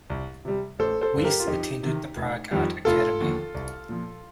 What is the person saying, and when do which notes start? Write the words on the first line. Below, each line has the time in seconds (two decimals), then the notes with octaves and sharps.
Weiss attended the Prague Art Academy.
0.10 C2
0.45 C3 G3
0.79 A1 A4 C5
1.01 A4 C5
1.14 G2 D3
1.24 G4 A#4
1.39 F4
1.47 F2 D#4 G4
1.83 C3 D#3
2.16 F1
2.51 F2 D#3 G3
2.85 F1 F4 A4
3.20 D#2 D3 F3
3.54 C2
3.89 A#2 F3